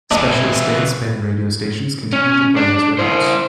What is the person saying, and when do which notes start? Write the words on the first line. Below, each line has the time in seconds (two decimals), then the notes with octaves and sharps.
Specialist dance band radio stations continue to play his records.
0.11 B2 E3 D4
2.13 C#4
2.56 D4
2.99 E4 C5